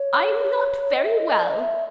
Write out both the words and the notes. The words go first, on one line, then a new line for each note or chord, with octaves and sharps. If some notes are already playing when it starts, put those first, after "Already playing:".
"I'm not very well."
Already playing: C#5
D#5
E5
D#5
D5
D#5
E5